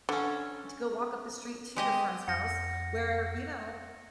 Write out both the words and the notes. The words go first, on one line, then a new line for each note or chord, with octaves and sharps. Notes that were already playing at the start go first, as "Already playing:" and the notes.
to go walk up the street to your friend's house where, you know
D3 C#4 A4
G#3 G4 D#5
F2 F#5 A#6 C#7